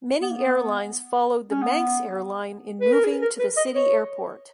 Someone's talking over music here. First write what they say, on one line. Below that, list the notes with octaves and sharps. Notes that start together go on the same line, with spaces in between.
Many airlines followed the Manx airline in moving to the City airport.
B3
A#3
B3
C#4
B3
B4
A#4
G#4
A#4
B4
D#5
C#5